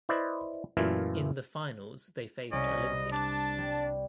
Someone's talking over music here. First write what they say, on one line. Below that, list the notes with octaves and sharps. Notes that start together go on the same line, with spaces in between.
In the finals they faced Olimpia.
E4 B4 C5 D5 D#5
F#2 A#2 E3 A3 E4 F4
C2 C#4 A#4 D#5 D7
D4 A5 D6 F#6
G3